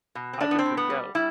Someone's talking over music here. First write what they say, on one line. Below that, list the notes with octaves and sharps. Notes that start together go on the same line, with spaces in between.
I could freak out!
B2
C4
A2 D4
B3
C4
A2
B3
G3
G3 E4